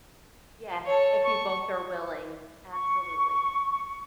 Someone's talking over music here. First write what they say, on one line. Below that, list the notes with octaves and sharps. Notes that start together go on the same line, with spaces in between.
Yes, if you both are willing, absolutely.
A4 C#5
C#6
C#6